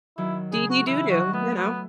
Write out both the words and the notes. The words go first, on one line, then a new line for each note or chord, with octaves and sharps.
Dee Dee, Doo Doo, you know?
D#3 F#3 E4
C#3 G#4
F#4
C#3 E3 E4
D#3 F#3 F#4
F#3 A3 B3
F#3 A3 B3